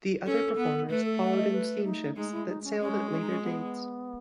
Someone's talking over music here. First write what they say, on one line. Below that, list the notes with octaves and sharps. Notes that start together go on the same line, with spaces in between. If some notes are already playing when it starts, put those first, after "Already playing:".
The other performers followed in steamships that sailed at later dates.
C#4 A4
B3
A3 B4
A4
F#5
D#5
B4
D#4
G#3 D#4
E4
D#4
C#4
G#3 C#4
C#4
D#4
C#4
B3